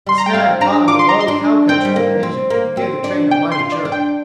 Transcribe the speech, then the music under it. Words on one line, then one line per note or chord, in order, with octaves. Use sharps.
The snag caught on the low cow-catcher of the engine and gave the train a mighty jerk.
G3 C6
A#5
G5
C4 F5
D4 A#5
F4 D6
C6
A#5
C6
D4
C4 G5
G3
A#3
C4
A#3
C4
D4
D4 G5
C6
F4
D5
D4
G5